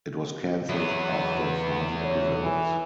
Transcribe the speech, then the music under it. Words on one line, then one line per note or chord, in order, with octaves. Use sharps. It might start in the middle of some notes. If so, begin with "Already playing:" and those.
It was cancelled after five episodes.
E2 F#3 B3
B4
C#5
E3